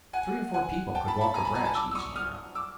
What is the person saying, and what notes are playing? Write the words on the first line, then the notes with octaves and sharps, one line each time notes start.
Three or four people could walk abreast easy enough.
F#5 G#5
F#5 G#5
G5 A5
A5 B5
A5 B5
G#5 A#5
A5 B5
G#5 A#5
A5 B5
D6 E6
E6
C#6 D#6
D#6 F6
D6 E6